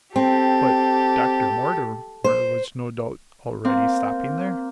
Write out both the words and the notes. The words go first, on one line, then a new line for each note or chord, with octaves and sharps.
"But Dr. Mortimer was no doubt already stopping there?"
C4 G4 A4
C5
A#3 C4